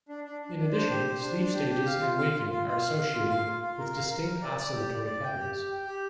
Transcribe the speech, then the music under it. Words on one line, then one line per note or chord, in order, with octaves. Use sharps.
In addition, sleep stages and waking are associated with distinct oscillatory patterns.
D4
D4
D4
D4
C5
G4
C5
D4
D4
G4
G4
F5
F4
F5
F4
F4
F4
F5
F5
F4
F5
F4
F4
A#4
F5
A#4
A#4
D5
D5
G4
D5
D5
G5
G4
G4
G5
G4